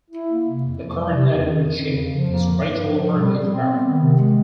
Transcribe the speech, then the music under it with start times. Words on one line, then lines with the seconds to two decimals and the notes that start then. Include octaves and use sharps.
The current editor-in-chief is Rachel Hardage Barrett.
0.11 E4
0.27 A#3
0.45 C3
0.62 F2
0.79 F3
0.96 G3
1.12 C3
1.30 E2
1.47 D#3
1.64 F2
1.81 C#3
1.97 F2
2.14 F3
2.31 A#3
2.48 D3
2.65 G2
2.82 F3
2.99 B2
3.15 G3
3.33 B2
3.50 C4
3.66 B3
3.84 D#3
4.00 C3
4.18 G#3